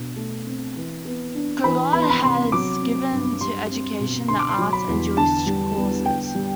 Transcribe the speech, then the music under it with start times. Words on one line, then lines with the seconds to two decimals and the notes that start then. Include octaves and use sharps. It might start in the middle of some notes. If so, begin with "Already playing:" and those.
Kogod has given to education, the arts, and Jewish causes.
Already playing: B2 D4
0.16 A3
0.47 C4
0.76 E3
1.05 B3
1.35 D4
1.64 E3 B5
1.93 B3 B5
2.02 C6
2.10 B5
2.23 C3 C6
2.52 F#3 D6
2.82 C4
3.11 G2
3.41 G3 C6
3.70 C4
3.99 B2
4.28 D3 C6
4.39 D6
4.49 C6
4.58 F#3
4.73 B5
4.88 E2
5.17 D3 A5
5.46 G3
5.77 B3
6.06 D3 G5
6.35 G3